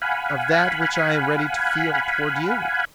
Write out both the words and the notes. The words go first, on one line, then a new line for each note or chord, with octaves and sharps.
"Of that which I am ready to feel toward you."
F5 F#5 G#5 B5